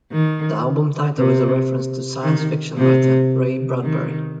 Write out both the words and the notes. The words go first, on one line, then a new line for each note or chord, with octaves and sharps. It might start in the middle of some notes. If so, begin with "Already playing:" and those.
The album title is a reference to science-fiction writer Ray Bradbury.
D#3
C3
D#3
C3
D#3